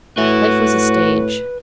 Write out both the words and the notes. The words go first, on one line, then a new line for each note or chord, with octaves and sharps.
Life was a stage.
A2 F#4 B4 E5